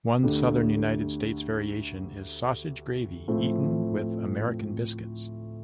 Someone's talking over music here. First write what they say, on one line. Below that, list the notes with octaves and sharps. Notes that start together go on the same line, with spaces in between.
One Southern United States variation is sausage gravy eaten with American biscuits.
D2 D3 A3 D4 G4
A2 F3 A3 C4